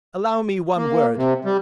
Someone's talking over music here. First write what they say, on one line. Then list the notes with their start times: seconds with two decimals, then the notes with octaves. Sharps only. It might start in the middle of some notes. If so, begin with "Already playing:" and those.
Allow me one word.
0.77 A#3
1.16 C3
1.45 G3